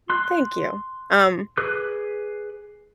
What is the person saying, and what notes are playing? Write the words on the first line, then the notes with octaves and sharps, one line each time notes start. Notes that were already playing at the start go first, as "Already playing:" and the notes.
Mm, thank you. Um,
C6 F#6
G#4 B4 D6 F#6